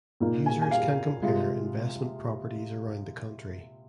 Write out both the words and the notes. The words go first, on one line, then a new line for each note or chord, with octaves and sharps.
Users can compare investment properties around the country.
A#2 A#3 D#4
G#5
G#5
F5
C3 G#3 F4